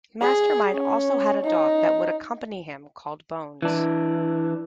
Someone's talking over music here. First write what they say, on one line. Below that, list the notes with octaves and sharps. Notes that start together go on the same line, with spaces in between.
Master Mind also had a dog that would accompany him, called Bones.
G#4
C#4
D#4
E3 D4